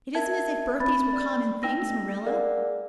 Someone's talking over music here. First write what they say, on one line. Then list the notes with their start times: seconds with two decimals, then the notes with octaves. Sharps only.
It isn't as if birthdays were common things, Marilla.
0.15 A#4 E5 A5 G#6
0.80 C4 B5 A6
1.13 D5
1.63 D#4 G5 E6 A#6
1.83 A3
2.26 G#4 A#4 D5 F5 F#5